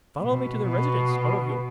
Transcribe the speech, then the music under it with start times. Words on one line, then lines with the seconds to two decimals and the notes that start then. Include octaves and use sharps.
"Follow me to the Residence--all of you!"
0.21 B2
0.63 B2